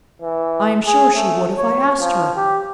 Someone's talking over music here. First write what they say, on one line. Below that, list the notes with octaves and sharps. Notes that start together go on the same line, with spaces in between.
"I am sure she would if I asked her."
E3
G#4
A3
C#5
F3
G4